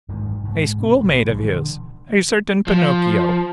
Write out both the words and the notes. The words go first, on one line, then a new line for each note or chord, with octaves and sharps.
"A schoolmate of his, a certain Pinocchio."
F#1 G#2 D#3 E3
G#2 G#3
B2 C4
A1 C3 D#3
A#2 E3 G3 G#3
D3 E3
F3